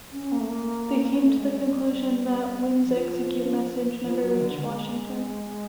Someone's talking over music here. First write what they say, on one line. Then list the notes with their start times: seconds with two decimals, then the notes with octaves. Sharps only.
They came to the conclusion that "winds execute" message never reached Washington.
0.12 C#4
0.32 A#3
0.40 A3
0.49 A#3
1.10 B3
1.24 A3
1.38 G#3
1.53 G3
2.85 F3
4.02 F3
4.22 F#3
4.41 D3
4.61 G#3